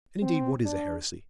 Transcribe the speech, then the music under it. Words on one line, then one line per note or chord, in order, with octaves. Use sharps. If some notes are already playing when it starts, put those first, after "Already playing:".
And, indeed what is a heresy?
C4
D4